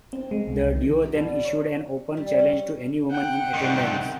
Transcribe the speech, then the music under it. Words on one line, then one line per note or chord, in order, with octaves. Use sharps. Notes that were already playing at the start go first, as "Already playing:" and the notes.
The duo then issued an open challenge to any women in attendance.
C4
G#3
C2
D#3
F#2 G4
B2 D4
C#5
G3
C#4
F#5 G5
C2 D#3